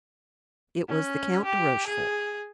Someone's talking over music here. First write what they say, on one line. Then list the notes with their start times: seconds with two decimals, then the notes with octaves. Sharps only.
It was the Count de Rochefort.
0.88 C#4
1.45 G4
1.87 G#4